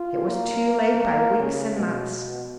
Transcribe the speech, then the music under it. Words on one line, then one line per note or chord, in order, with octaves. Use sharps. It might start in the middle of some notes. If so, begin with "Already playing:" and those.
It was too late by weeks and months.
Already playing: F4
A#3
A#3
C#3
B2